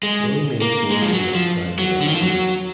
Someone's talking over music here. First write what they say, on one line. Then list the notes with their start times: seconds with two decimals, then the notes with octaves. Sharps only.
Willie Mae Ford Smith died the next year.
0.03 G#3
0.62 A#3
0.91 G#3
1.02 F3
1.13 F#3
1.35 F3
1.79 F#3
2.01 D3
2.08 D#3
2.15 F3
2.22 F#3